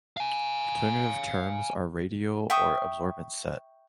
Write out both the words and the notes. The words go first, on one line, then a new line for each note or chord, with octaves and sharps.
Alternative terms are radial or absorbent set.
F5 G#5
E5 G5 C#6 D#6